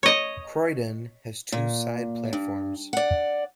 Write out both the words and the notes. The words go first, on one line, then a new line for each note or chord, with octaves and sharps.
Croydon has two side platforms.
C#5 D#5
A#2
G2
D5 F#5